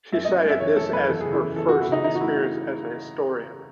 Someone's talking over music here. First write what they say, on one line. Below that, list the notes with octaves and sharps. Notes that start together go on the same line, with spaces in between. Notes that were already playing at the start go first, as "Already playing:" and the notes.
She cited this as her first experience as a historian.
F#2 E5
D#5
F#2
F#2 E5
E3 C#5
F#2 A4
F#2 B4
E2 A4
G#4
C#3
E4
E3
E2 A4
F#4
E3
E4
C#3 D#4
E3 D#4
F#4
A3 E4